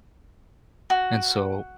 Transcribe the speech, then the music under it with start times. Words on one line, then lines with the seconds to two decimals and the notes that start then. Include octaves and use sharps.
and so,
0.90 F#4